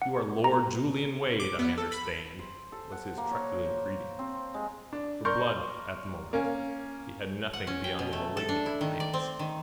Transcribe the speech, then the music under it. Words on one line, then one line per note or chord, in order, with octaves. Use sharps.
"You are Lord Julian Wade, I understand," was his truculent greeting. For Blood at the moment he had nothing beyond a malignant glance.
F#5
A#5
D6
B3
A4
B5
C5
A4
F#5
A#3
C#5
C5
C4
G#3
D4
A#4 D5 C6 C#6 F6 G6
A#3 C#4
F#5
C#4
G5
B2
A3
A4
D4
E4
D#3
D5
C4
D#3